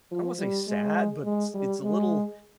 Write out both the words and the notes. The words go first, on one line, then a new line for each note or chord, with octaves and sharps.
don't wanna say sad, but s it's a little
F3
G3
G#3
G#3
G3
G#3